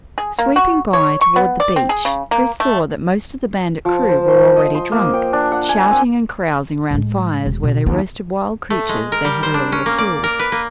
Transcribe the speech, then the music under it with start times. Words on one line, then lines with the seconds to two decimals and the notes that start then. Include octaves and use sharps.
Sweeping by toward the beach Chris saw that most of the bandit crew were already drunk, shouting and carousing around fires where they roasted wild creatures they had earlier killed.
0.18 G#4
0.39 A#3
0.56 F#4
0.93 C#5
1.21 C#6
1.36 B3
1.60 D5
1.76 C4
1.89 G#4
2.05 C#3
2.31 A#3
2.60 A3
3.85 F3
4.09 C5
4.28 C6
4.56 D#5
4.75 C6
4.92 A#3
5.14 G5
5.33 D4
5.52 F#5
5.69 G#5
5.91 C4
6.91 A2 G#3
7.46 E1
7.63 B2
7.86 D#2 B3
8.70 A3
8.89 G#3
9.12 A#4
9.25 G3
9.43 C5
9.54 D4
9.72 C#4
9.86 A#3
9.98 D5
10.24 A#4
10.39 B4
10.52 A#3